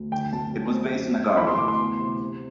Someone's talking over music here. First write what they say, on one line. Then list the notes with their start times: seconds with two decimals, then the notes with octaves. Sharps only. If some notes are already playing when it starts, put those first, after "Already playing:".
It was based in Agaro.
Already playing: D2
0.12 D3 G5
0.33 D2 A5
0.54 F#3
0.74 C4
0.95 F#2
1.16 F#3
1.29 C6
1.37 E3 B5
1.47 C6
1.58 D2 D6
1.68 C6
1.79 B3
2.00 C3
2.20 C4